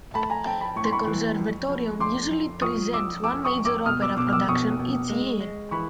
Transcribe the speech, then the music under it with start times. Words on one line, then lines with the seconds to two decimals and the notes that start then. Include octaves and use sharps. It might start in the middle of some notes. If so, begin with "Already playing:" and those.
The Conservatorium usually presents one major opera production each year.
0.14 A3 A5 B5
0.30 G#5 A#5
0.45 C4 G5 A5
0.61 A5 B5
0.76 A2 C#6
0.84 C6
0.92 B5 C#6
1.07 E3
1.38 F2
1.69 F2
2.00 F2 C6 D6
2.31 F2
2.62 F3 C#6 D#6
2.93 F2 D6 E6
3.24 F2 D6 E6
3.45 C#6 D#6
3.55 F2
3.65 D6 E6
3.86 B2 D#6 F6
4.02 D6 E6
4.17 B2 D6 E6
4.27 F6
4.33 D6 E6
4.48 B2 C#6 D#6
4.79 B2
5.09 G#3
5.41 G#3
5.71 E3 B5 C#6